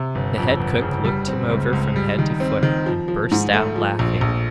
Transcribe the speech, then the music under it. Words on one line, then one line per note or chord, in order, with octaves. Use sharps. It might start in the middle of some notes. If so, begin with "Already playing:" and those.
The head cook looked him over from head to foot, and burst out laughing.
Already playing: C3
G1
F2
G1
C#3
G3
C4
C#2
C#2
G3
D#3
C4
D#3
F3
F3
G#2
A3
F3
A#1
A#1